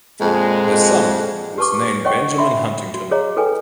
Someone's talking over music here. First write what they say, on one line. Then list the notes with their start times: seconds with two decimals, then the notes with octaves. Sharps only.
Their son was named Benjamin Huntington.
0.21 F2 A#2 G#3
1.58 G4 B4 A5 C#6 D6
2.05 C#5 D#5 F#5 G5 C#6
2.38 E5 B5 C6
2.94 F#4
3.11 G#4 C#5 D#5 F5 A#5
3.36 E4 A4 B4 G5 G#5